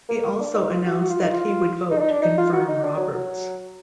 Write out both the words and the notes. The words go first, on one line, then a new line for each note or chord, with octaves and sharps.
He also announced that he would vote to confirm Roberts.
A#3
D4
D#4
F4
F#4
F#4
F4
D#4
F4
D#4
D4
D#4
D4
D#4
F4
F#4
D#4
D4
F#3
F#3